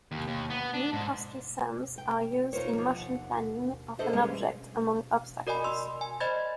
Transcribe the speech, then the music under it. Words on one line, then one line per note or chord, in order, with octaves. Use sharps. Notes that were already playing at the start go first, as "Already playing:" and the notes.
Minkowski sums are used in motion planning of an object among obstacles.
D#2
D#2
B3
D4
G#2
G5
D#4 F4 G#4 A#4 C5 C#5
D#2 F3
D#2 F#5
D4 G#4 A4 C5 D#5 E5
E3 G3 G#3 C#4
F#4 A#4 D5 D#5 G#5 B5
C6 E6
G#5
C5 D5 D#5 B5 G#6 A6